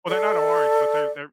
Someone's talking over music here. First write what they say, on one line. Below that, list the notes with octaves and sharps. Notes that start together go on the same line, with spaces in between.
Well, they're not orange, but their their
A4 D5